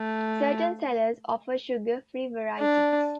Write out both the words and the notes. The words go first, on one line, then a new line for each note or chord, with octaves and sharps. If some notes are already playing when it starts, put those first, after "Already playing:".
Certain sellers offer sugar-free varieties.
Already playing: A3
D4